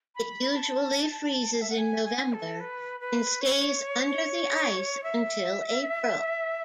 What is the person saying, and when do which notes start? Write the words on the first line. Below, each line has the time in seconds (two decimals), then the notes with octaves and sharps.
It usually freezes in November and stays under the ice until April.
0.15 B5
0.51 B5
0.56 A5
1.61 E5
1.70 F#5
1.78 G#5
2.05 G#5
2.33 A4
2.60 B4
3.00 B4
3.41 C#5
5.03 E5